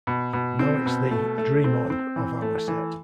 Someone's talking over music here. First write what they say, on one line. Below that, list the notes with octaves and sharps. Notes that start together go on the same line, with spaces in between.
Now it's the 'Dream On' of our set.
B2
B2
C4
B2
A3
A3
C4
C4
E3
A3
E3